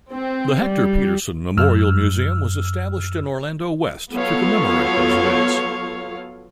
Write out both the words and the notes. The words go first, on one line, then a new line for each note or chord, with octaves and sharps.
The Hector Pieterson Memorial Museum was established in Orlando West to commemorate those events.
C4
G3
F#2 E6 F6
F#3 B3 F4 A4 C#5 F5